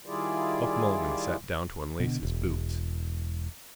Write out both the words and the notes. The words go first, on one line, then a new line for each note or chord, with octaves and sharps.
Buck Mulligan sat down to unlace his boots.
D#3 G3 E4 F4 G#4 D5
B2 D3
E1